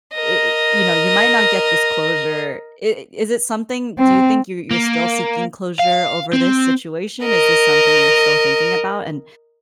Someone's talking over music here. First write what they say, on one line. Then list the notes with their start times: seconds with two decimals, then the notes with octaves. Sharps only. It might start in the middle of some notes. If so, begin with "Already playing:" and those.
Eh eh, you know, you might not get this closure. I is it something; do you think you you're still seeking closure over this situation? Is this something you're still thinking about? And
0.15 A#4 D#5
3.99 C4
4.71 A#3
5.80 F5
6.33 C4
7.24 A#4 D#5